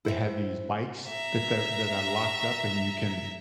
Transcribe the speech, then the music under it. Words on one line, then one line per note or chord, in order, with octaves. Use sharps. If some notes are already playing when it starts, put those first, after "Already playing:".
they had these bikes that they're that are locked up and you can
E4 C5 E5
E5 A#5